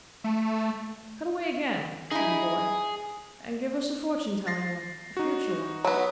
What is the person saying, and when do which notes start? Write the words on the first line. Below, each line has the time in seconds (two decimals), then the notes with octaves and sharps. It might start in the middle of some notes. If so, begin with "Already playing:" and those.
'Cut away again,' said the boy, 'and give us a fortune-telling one; a future one.'
0.24 A3
2.11 D#4 E4 G#4
4.47 A6 A#6 C7
5.17 D#4 F#4
5.85 F#3 B3